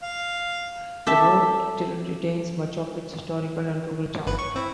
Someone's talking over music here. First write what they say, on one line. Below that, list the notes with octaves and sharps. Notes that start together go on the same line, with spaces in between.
The road still retains much of its historical and rural charm.
F5
G4 A4 E5
G1 B4
C#5 C#6
C4 E4